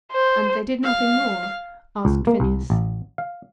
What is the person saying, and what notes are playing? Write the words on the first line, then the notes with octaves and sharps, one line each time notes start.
"And they did nothing more?" asked Phineas.
C5
F5
C#2
A#3
C2
A1
F5